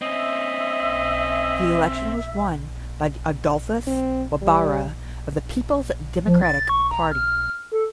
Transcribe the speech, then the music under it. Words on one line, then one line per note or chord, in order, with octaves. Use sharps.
The election was won by Adolphus Wabara of the Peoples Democratic Party.
C4 C#4 D#5 E5 E6
C4
G3
F3
A6
C#6
A#5
F6
A4